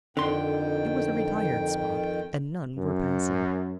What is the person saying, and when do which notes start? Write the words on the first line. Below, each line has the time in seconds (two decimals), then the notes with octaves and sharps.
It was a retired spot, and none were passing.
0.17 F2 D3 D#3 G5 C6
2.78 F#2